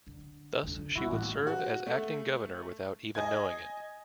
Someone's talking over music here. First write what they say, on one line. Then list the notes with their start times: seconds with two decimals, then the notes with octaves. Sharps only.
Thus, she would serve as acting governor without even knowing it.
0.07 D3
0.63 F2 D3
0.96 G3 E4 F#4
1.11 A1 F#4
1.47 F#4
1.86 A3
3.15 D#5 G#5 G#6